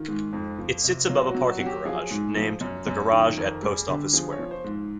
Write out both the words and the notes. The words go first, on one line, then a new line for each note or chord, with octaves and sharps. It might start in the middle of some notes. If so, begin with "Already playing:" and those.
It sits above a parking garage, named The Garage at Post Office Square.
Already playing: D#3 F4
G#2
F2
F3
C3
F#3 F4
F#4
F#3
F#4
F#3 F#4
G4
F3 G#4
G#2
F3
F#2
F#2
D#3
F2 A#4
G3 G#4
D3 G4
F3 G#4
C#5
F3
C5
G#2